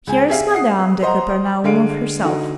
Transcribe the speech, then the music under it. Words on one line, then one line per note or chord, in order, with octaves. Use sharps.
Here is Madame de Kapernaumov herself.
C#2 G#5
G4 G#4 E5 F5
F#5 D#6 C7
C5 D#5 F#5 A#5
D3 G#3 F5 D7
D3 D#4 F#4